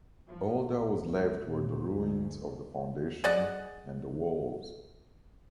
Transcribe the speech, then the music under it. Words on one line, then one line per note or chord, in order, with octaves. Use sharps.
All that was left were the ruins of the foundation and the walls.
F3
A#1
C#2
A#2
D2
G#4 D5 D#5 F#5